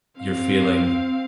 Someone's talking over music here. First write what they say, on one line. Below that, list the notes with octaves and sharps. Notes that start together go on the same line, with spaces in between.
you're feeling
C4 F5